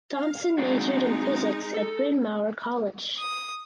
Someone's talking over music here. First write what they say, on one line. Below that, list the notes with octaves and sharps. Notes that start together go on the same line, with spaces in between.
Thompson majored in physics at Bryn Mawr College.
F5
G#3 C4 D4 D#4 F#4
A4
D#6